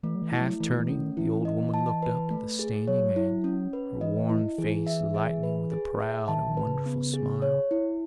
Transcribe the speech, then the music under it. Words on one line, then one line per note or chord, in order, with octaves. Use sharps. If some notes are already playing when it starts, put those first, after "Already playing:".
Half turning, the old woman looked up at the standing man, her worn face lighting with a proud and wonderful smile.
E3 A3
F#3
E3
E4
F#3
E3 A3
E3
C#4
D#3
E3 E4
D#5
A5
B4
A3
G#4
F#3 C#5
E4
C#4
B4
E3 D#5
E4
E3 G#4
E5
G#4
B4
G#4
E5
D#3 A5
D#3
B4
C#3
B3
G#4
C#5
E4